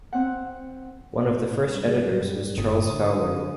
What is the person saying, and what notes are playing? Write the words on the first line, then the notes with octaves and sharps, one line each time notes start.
One of the first editors was Charles Fowler.
C4 F#5
G3
G1 D#6
D3